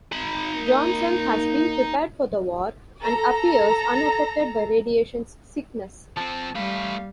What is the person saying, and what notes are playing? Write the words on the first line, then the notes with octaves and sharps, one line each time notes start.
Johnson has been prepared for the war, and appears unaffected by radiation sickness.
D#4 B5
A#3
A4 A#5
F3 C4 A5
G3 A3 B4 F5